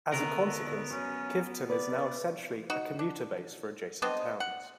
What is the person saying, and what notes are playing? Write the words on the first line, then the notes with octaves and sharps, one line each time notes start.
As a consequence, Kiveton is now essentially a commuter base for adjacent towns.
D#2 D3 A3 B3 A#4 A#5
F#2 C#4
B4 D5
D#4 F#4
D4
B3 C4 D4 D#5
F#5